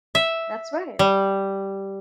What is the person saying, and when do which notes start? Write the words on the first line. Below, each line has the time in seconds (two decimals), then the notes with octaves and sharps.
That's right.
0.15 E5
0.99 G3